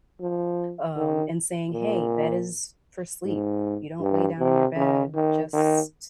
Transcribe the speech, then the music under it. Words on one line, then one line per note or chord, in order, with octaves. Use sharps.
um, and saying, "Hey, bed is for sleep." You don't lay down on your bed just
F3
D#3
A#2
G#2
G2
C3
C#3
D#3
D#3